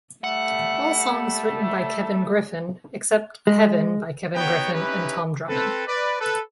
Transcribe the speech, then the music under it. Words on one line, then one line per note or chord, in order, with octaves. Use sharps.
All songs written by Kevin Griffin, except "Heaven" by Kevin Griffin and Tom Drummond.
G3 A3 F#5
G#3
B3 D#4 F#4 B4 C#5 G5
C#4 D#4 E4 G4 B4
C4 A4 B4
B4 D5
A4 B4